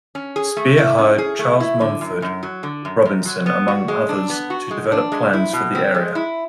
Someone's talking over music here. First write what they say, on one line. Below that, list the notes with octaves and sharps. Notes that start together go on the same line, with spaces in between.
Speer hired Charles Mulford Robinson among others to develop plans for the area.
C#4
G#4
A3
E4
C#4
G#4
A3
E4
D3
F#2
F#2
F#3
D3
F#2
F#2
F#3
B3
F#4
G#3
D4
B3
F#4
G#3
D4
G#3
E4
B2
C4
G#3
E4